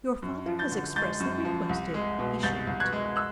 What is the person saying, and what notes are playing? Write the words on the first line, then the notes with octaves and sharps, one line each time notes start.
"Your father has expressly requested he shouldn't."
F#2
F3
G6 A6
D3
G#3 G6 A6
F#2
F3
C2
G#3
B2
C2 G6 A6
C2
F#6 G#6
G#3
E6 F#6